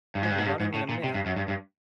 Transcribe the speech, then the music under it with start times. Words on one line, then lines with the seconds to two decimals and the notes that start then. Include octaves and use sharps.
"He'll be running in a minute."
0.15 G2
0.23 G#2
0.30 G2
0.38 G#2
0.46 G2
0.60 G#2
0.74 A2
0.89 A#2
1.04 C3
1.14 G2
1.26 F#2
1.36 G2
1.48 G2